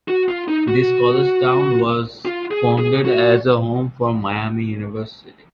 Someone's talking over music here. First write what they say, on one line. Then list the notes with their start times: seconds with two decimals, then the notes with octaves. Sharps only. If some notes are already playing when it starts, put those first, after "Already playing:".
This college town was founded as a home for Miami University.
0.08 F#4
0.28 F4
0.48 D#4
0.68 F#4
2.25 F4
2.51 G#4
2.78 G#4
3.05 F#4